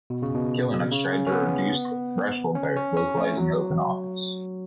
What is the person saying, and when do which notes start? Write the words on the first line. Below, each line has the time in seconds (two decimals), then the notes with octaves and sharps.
Kilinux tried to reduce the threshold by localizing Open Office.
0.10 B2
0.22 C#3
0.34 B2
0.91 C#3
1.13 C#4
1.26 C#4
1.32 B3
2.55 C#4
2.76 C#4
2.97 C#4
3.17 A3
3.37 F#3